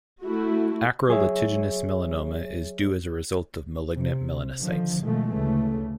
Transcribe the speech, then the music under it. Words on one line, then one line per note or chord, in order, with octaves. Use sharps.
Acral lentiginous melanoma is due as a result of malignant melanocytes.
A3 E4 F#4
F#3 G#4 C#5 E5
C3
D3 D#3 F3
B2 D#3 F3 G#3 A3
D2 C#3 E3 A3